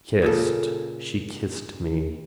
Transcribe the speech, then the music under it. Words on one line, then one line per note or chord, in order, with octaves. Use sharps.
Kissed, she kissed me.
A#2 C#3 A4